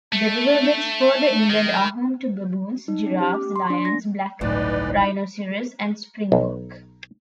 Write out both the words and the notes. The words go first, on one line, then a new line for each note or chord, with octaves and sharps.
The riverbeds further inland are home to baboons, giraffes, lions, black rhinoceros and springbok.
A3
D#3
D#4
C#4
G4
D6
C6
D4
A#6
G1 C#2 A2 E3 F#3 D#4 B4 D5
B1